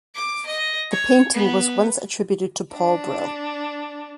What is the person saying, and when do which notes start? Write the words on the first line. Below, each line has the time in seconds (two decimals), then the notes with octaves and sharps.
The painting was once attributed to Paul Bril.
0.15 D6
0.45 D#5
0.91 C#5
1.34 B3
2.74 D4